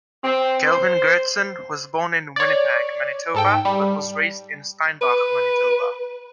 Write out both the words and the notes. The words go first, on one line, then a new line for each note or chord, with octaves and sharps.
Kelvin Goertzen was born in Winnipeg, Manitoba but was raised in Steinbach, Manitoba.
C4
C5
C#5 D5
G#2 A4 G5
G3
B4